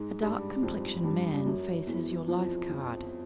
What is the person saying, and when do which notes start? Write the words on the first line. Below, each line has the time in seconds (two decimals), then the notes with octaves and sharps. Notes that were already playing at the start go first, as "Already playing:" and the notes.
A dark complexioned man faces your life-card.
Already playing: G#2 G#3
0.22 G2 G3
0.63 F2 F3
1.04 G2 G3
1.34 G3
1.46 F#2 F#3
1.87 E2 E3
2.28 F2 F3
2.69 F2 F3